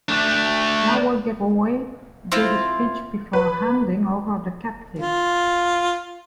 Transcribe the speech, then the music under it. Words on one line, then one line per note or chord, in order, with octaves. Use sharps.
Lawoughqua gave a speech before handing over the captives.
A3 D4
C4 E4 F4
B4
F4